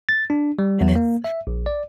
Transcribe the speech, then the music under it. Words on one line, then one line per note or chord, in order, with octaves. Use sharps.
And it's
A6
D4
G3
E2
A#3
E5
A#1
D5